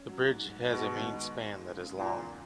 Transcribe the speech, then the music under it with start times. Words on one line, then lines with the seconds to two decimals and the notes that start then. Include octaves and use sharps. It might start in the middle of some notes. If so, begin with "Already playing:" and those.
The bridge has a main span that is long.
Already playing: C#4
0.08 F#3
0.29 G#2
0.50 G#2
0.71 B2 G#3
0.92 D#3
1.13 B3
1.34 D#2
1.55 G#3
1.76 C#3
1.97 A#2 D#4
2.18 E2